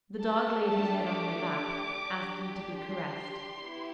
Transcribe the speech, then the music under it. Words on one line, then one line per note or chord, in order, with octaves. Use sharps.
The dog laid his head on her lap, asking to be caressed.
A3 D4 G4 A5
A5
D6
D4 G4
C6
B3 E4 G4